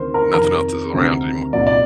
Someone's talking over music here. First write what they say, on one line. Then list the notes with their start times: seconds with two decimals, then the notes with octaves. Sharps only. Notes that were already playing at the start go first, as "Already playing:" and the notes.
nothing else is around anymore.
Already playing: D2 C3 D#3 A#4 C5
0.14 A#4
0.34 F2 C3 D#3 A#4
0.93 D2 C3 D#3
1.53 C2 A#2 D5
1.67 D5